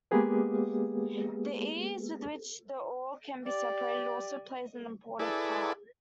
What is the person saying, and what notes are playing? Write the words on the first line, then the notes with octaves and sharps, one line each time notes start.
The ease with which the ore can be separated also plays an important part.
G#3 A#3 B3 G4 G#4 B4
G4 D5
E4 G#4 A4 B4 D5